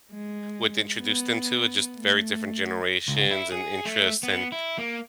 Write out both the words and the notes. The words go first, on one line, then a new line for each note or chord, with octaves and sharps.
would introduce them to, it's just very different generations, and interests, and
G#3
B3
A3
C#2
E4
G#4
A3
B3
E4
A#3